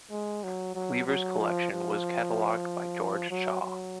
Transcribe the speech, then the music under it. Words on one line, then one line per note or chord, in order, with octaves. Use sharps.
Lever's collection was catalogued by George Shaw.
G#3
F#3
F#3
F#3
F3
F3
F#3
F#3